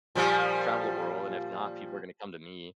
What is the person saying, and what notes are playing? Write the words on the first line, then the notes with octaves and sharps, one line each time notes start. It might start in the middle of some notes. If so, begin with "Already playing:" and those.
travel the world, and if not, people are gonna come to me,
A#2 F3 G3